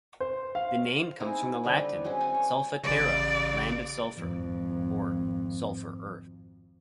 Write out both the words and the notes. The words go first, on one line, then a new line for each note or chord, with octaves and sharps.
The name comes from the Latin, "Sulpha terra", "land of sulfur", or "sulfur earth".
C5
F5
C4 D#4 E4 G#4
D3 G3 C4 B4
F#3 G#3 C4 C#4
C4 C#4 G#5
C#5
A1 C#3 D5
G#1 F2